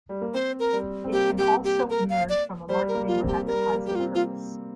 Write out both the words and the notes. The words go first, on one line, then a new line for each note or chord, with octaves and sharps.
It can also emerge from a marketing or advertising purpose.
G3
A#3
C4 C5
A#4
G3
C4
A#3 G4
G4
G4
A#4
F5
D5
G3 C5
A#4
A#3
F4
C4
G4
G3 A#4
A#3
A#3 G4
C4 F4
F4